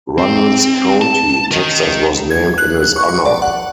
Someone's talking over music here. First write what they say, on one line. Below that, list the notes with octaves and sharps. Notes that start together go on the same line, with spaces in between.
Runnels County, Texas was named in his honor.
C4
A5
A#4 D#5
G#6
F#6
C#6
C#6
D5
F#5